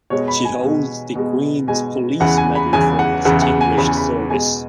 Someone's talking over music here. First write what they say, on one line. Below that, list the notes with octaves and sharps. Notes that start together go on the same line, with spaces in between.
She holds the Queen's Police Medal for distinguished service.
B2 G#3 C#5
B5
G#5
B2 G#3
B2 G#3
B2 G#3 G#5
E2 C#3 E3 F#5
G#5
B5
E2 C#3 E3 G#5
F#5
E2 C#3 E3 F#5
F#5
G#5
E2 C#3 E3 B5
G#5
B5
B2 G#3 G#5